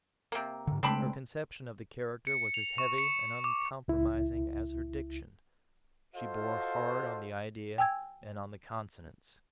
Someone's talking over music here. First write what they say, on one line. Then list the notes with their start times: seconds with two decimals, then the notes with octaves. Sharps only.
Her conception of the character was as heavy and uncompromising as her diction; she bore hard on the idea and on the consonants.
0.32 C3 A#3
0.67 G#2 D3
0.83 C#3 G#3 A3 C4 D4 B5
2.27 C#7
2.54 F7
2.78 C#6
2.98 C#7
3.44 D6
3.88 C#2 E4
6.15 F4 F#4 A4 C5 D#5 F5
7.78 G5 G#5 E6 G#6